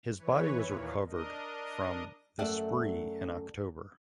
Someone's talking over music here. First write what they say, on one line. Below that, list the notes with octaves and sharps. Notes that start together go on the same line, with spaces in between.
His body was recovered from the Spree in October.
E3 B4 C#5
D#2 A#2 A#3
D4 A#4 D#5
F#2 A3 D5 E5 F#5